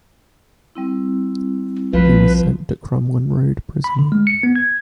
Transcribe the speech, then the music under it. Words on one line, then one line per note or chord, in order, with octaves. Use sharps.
He was sent to Crumlin Road Prison.
G3 C4 E4
B1 F3 B4
B5
D3
G#3
C#7
B3
G#6